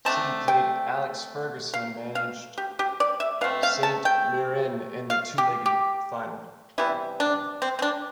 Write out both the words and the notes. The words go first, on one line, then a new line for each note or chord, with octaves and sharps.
City played Alex Ferguson managed Saint Mirren in the two-legged final.
D3 A3 C4 A5
G5
F5
F5
G4
G4
D5
E5
B2 A3 C4 F5
F5
A5
G5
F5
G4
G4
C3 E3 G3 B3 E4
D4
C4
C4
D4